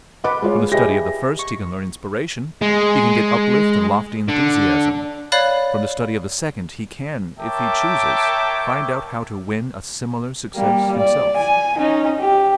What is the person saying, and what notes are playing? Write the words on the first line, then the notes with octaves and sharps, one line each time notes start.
From the study of the first he can learn inspiration, he can get uplift and lofty enthusiasm. From the study of the second he can, if he chooses, find out how to win a similar success himself.
B4 D#5 F#5 D6
G#3 F4 C#5
G4 G#4 B4 D#5 E5 A#6
C#6
G#3
D3
C#5 D5 F5 B5 F#6 A6
A#4 C#5 E5 G5 A5 D6
G3 A#3
D5
G#5
C#4 D#4
G4